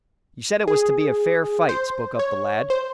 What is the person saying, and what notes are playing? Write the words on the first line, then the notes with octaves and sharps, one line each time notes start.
"You said it was to be a fair fight," spoke up the lad.
G#4
C5
C#5
C5